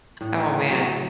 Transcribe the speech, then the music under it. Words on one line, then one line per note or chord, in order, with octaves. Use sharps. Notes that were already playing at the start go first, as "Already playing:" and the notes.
Oh, man,
A2
D#4
F#3